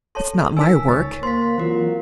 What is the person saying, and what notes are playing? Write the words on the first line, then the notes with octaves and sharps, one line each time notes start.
It's not my work.
A4 C#5 A5 C6
D#4 A#4 G#5 E6 B6
C#2 C#5 A6
A#3 C5 C6 B6
E3 F#3 A#3 C4 F4 A#4